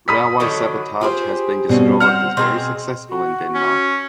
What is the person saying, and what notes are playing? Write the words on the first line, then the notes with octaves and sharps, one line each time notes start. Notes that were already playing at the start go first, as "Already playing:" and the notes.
Railway sabotage has been described as very successful in Denmark.
B5 D#6 B6
D3 D#3 F#3 A4 D5 D#5
F4 G4 G#4 C5
B2 G3 C4 C#4
C5 F#5 A#5 F6
B2 C4 G#4 A#5
F#4
C#4